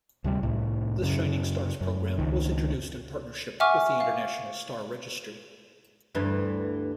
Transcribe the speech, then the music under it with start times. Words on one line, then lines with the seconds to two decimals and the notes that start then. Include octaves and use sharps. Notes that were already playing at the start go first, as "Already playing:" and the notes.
The Shining Stars program was introduced in partnership with the International Star Registry.
0.24 D2 C3 G3
0.43 C2 A2
1.02 F#2 C#3
1.81 F#2
2.18 C#2 D#3
3.60 E5 F#5 G#5 C#6 D6 F6
4.00 F5
6.15 D2 G2 E3